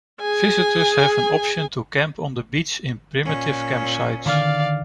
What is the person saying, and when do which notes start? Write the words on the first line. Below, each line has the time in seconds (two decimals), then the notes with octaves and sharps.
Visitors have an option to camp on the beach in primitive campsites.
0.20 G#4 G#5
3.24 A#2 C#4
4.26 D3 D#3 D5 F5 F6